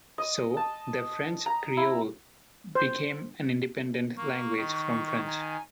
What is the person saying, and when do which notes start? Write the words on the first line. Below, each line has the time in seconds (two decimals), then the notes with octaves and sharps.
So, their French creole became an independent language from French.
0.18 D#5
0.57 A5
1.46 A#5
1.77 E4
2.75 C5
4.16 A#3 C#6
4.56 D#3
5.27 G#5 A#5